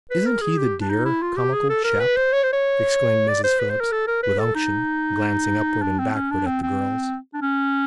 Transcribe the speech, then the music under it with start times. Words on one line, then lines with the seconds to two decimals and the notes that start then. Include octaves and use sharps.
"Isn't he the dear, comical chap!" exclaimed Mrs. Phillips, with unction, glancing upward and backward at the girls.
0.10 B4
0.26 A#4
0.41 G#4
0.58 G4
0.81 D4
0.90 D#4
1.05 E4
1.22 F4
1.37 G4
1.53 G#4
1.70 A4
1.84 A#4
2.00 B4
2.17 C5
2.32 C#5
2.43 C5
2.53 C#5
3.29 D5
3.44 C5
3.60 B4
3.70 C5
3.80 A#4
3.92 A4
4.07 A#4
4.23 B4
4.39 A4
4.55 D#4
5.82 D4
5.98 C4
6.14 C#4
6.31 D4
6.46 C4
6.63 C4
7.34 D4
7.41 C#4